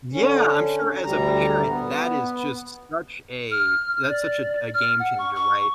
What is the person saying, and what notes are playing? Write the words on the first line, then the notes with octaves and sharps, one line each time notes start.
Yeah, I'm sure as a parent, that is just such a that's such a a game changer, right?
D3 C#4
D2 G3 A#5
B3
F6
D5
F6
F#5
C#6
C#6